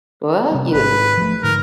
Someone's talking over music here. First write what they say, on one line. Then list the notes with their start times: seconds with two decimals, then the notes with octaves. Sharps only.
Well, you
0.51 C3 G3
0.73 G#1 B4
1.17 F3 G3 A3
1.43 G#2 D3 A#4